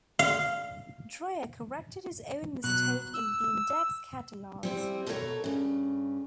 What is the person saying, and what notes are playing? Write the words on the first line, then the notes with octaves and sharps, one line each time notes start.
Dreyer corrected his own mistake in the Index Catalogues.
F5
B2 F#3 F#6
E6
G3 C4 E4
B2 A4 A#4 C5 C#5 A#5
G2 C#3